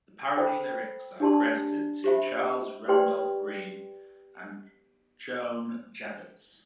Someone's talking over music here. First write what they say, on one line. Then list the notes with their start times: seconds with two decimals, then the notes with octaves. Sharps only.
The parody lyrics are credited to Charles Randolph Grean and Joan Javits.
0.37 A4 C5 G5 B5
1.20 D4 G4 D5 A5 C6
2.04 G4 C5 E5 B5
2.88 G4 B4 D5 G5 C6